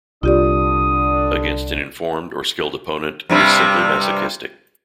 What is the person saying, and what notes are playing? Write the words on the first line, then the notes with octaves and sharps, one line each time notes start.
Against an informed or skilled opponent, it is simply masochistic.
C2 D3 D4 F4 G4 D5 D#6
G2 C3 G3